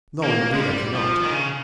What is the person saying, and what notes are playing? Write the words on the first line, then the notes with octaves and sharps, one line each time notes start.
"No, indeed, I cannot."
A#3
G#3
G3
F3
D#3
C#3